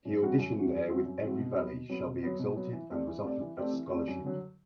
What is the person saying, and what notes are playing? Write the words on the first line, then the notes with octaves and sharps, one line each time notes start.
He auditioned there with Every Valley Shall be Exalted and was offered a scholarship.
F#2
E3 G3 C4 F#4
F#2
E3 G3 C4 F#4
F#2
E3 G3 C4 F#4
F#2
E3 G3 C4 F#4
B2
F#3 B3
B2
F#3 B3
B2
F#3 B3
B2
F#3 B3
E3
A3 C4 G4 D5
E3
A3 C4 G4 D5
E3
A3 C4 G4 D5
E3
A3 C4 G4 D5
F#2
D3 F#3